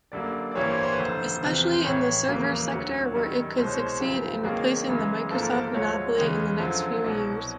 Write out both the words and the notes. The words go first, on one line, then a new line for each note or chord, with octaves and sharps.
Especially in the server sector where it could succeed in replacing the Microsoft monopoly in the next few years.
F#2 D3 G3 A#3 D5
D5
A1 G2 E3 G3 A#3 C#5
C5
C#5
C5
B4
F1 D#2 D3 C5
E2 C3 F3
C5
A1 A2 E3 C#5
F1 E2 C#3 F#3 A#3
D2 D3 F#3
F#2 D#3 G3
C2 B2 G#3 C5
C#5
C5
G1 F#2 C#3 F3 G4
C#2 C3 D#3 F#3 A#3 G#4
F#2 C#3 E3 G#3
G#1 G#2 F3 A#3 A4
A#4
A4
D2 D3 F3 G#3 C#5
E2 C#3 E3 G#3
F#2 D3 F3
C2 B2 F#3